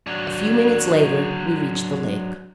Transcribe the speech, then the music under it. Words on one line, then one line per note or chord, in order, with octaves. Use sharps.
A few minutes later we reached the lake.
F#3 D4